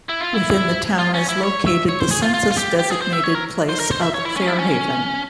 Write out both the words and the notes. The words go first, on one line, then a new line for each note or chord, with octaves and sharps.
Within the town is located the census-designated place of Fair Haven.
E4
F4
E4
F4
C#4
E4
C#5
E5
C#5
C5
G#4
F4
F4
F4
G4
G4
G#4
C5
E5
C#5
A#4
C5
A#4
C5
E5
C#5
E4
C#4
E4
C#4